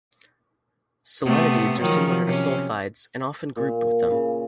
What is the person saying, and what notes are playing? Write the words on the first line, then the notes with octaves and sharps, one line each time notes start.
Selenides are similar to sulfides and often grouped with them.
C3 A3 B3
D#3 F3 F#3
C3 C#4
A#2
C#3